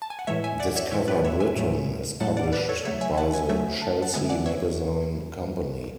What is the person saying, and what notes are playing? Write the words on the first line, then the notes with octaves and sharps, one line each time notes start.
"Discover Britain" is published by the Chelsea Magazine Company.
A5
G#5
F#5
A2 E3 G#3 C#5 E5
E5 G#5
D5 F#5
C#5 E5
A2 E3 G#3 C#5 E5
B4 D5
C#5 E5
E5 G#5
A2 F#3 A3
A2 F#3 A3 F#5 A5
D5 F#5
B4 D5
A4 C#5
C#3 F#3 A3 C#5 E5
E5 G#5
F#5 A5
E5 G#5
C#3 F#3 A3 E5 G#5
A5
F#5 A5
D3 G#3 B3 E5 G#5
D5 F#5
C#5 E5